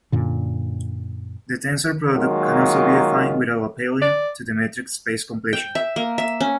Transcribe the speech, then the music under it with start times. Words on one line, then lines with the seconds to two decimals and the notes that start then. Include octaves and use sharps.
The tensor product can also be defined without appealing to the metric space completion.
0.12 F#2 A#2 D3
2.14 D#3 F#3 G#3 A#3 F4
4.02 D5
5.53 G5
5.75 E5
5.96 A#3
6.18 E5
6.41 C#4